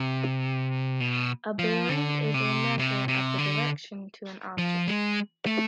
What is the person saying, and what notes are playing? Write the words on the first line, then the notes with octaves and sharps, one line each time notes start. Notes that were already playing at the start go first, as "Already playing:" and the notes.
A bearing is a measure of the direction to an object.
Already playing: C3
B2
F3
D3
C3
C3
C3
D3
F3
G#3
A3